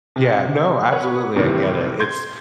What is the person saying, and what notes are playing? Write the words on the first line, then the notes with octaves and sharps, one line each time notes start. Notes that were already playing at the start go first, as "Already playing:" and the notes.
Yeah, no, absolutely. I get it, it's
C3
A#4 B4 C#5 F#5
A2 C3 D#3 E3 G3 A#3
C6 G6 G#6